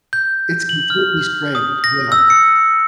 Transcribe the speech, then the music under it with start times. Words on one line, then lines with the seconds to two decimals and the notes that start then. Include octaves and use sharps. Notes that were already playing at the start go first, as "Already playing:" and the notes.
it's completely strange, yeah.
0.13 G6
0.69 F#7
0.90 F6
1.55 D#6
1.84 A#6
2.12 E6
2.30 C#7